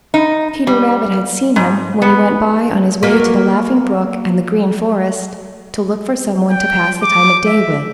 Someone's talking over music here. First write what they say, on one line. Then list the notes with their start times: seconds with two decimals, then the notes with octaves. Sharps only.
Peter Rabbit had seen him when he went by on his way to the Laughing Brook and the Green Forest to look for some one to pass the time of day with.
0.14 D#4
0.67 G3
1.56 G#2
2.02 B3
3.03 F#3 A#3 B4
6.51 G5
7.03 D6
7.46 E5